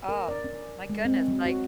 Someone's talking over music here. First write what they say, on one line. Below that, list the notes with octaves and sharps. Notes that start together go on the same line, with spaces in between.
Oh, my goodness, like
A#4
D5
C#4
G#3
C4
F#3
F#4